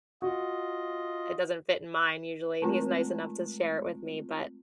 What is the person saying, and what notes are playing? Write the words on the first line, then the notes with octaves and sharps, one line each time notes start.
it doesn't fit in mine, usually, and he's nice enough to share it with me, but
F4 F#4 D#5
G#3 A3 C4 F4